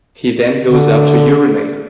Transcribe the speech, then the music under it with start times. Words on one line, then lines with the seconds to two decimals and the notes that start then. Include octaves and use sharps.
He then goes off to urinate.
0.65 D3